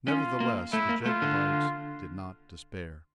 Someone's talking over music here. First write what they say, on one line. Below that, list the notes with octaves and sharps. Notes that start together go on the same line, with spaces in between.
Nevertheless, the Jacobites did not despair.
C#4 F4
A#3
A3 E4
A#3
A3 F4
D3